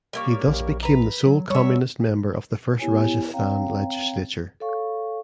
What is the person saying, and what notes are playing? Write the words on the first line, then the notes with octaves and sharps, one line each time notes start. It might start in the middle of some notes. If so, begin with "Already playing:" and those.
He thus became the sole communist member of the first Rajasthan legislature.
G3 A#3 C#5
A#1
B4 A#5
F#3
G3 C#5 E5
B3 E4 G4 C#5 G#5
C4 C#5 F5 G5 A#5
A4 C#5 F5 C#6